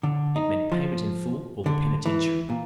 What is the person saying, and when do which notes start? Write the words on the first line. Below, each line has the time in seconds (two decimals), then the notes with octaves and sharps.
It meant payment in full or the penitentiary.
0.03 D3
0.36 D#4
0.72 F3
1.66 D3
2.06 E3
2.50 A#2